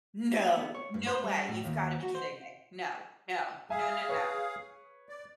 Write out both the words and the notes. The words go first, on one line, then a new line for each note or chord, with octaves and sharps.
No! No way. You've got to be kidding me. No. No. No. No. No.
B3
C#5
G2
C5
G3
A2
D#2
F#4
C5
G#4 E5 F5 G#5
B4 C#5
D5